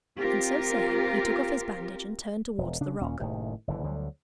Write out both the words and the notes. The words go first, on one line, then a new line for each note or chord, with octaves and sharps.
And so saying he took off his bandage and turned towards the rock.
C4 F4 G4 A#4
E1
C#3 D4
D#2 A#2 C#4
F#1 A2 C3 D#3
F#1 D3 E3
D2 D3 F#3 G3